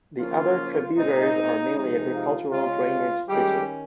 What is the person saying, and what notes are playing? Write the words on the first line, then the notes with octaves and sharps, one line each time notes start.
The other tributaries are mainly agricultural drainage ditches.
C#3 F3 A#3 C#4 F4
A#2 G#3 C4 D#4
C3 F3 G#3 D#4
F4
C#3 G#3 C#4 F4
D#3 G3 G#3 C#4 G4